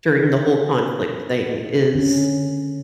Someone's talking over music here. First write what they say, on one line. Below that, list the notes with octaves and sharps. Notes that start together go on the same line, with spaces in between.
during the whole conflict thing is
D3 C#4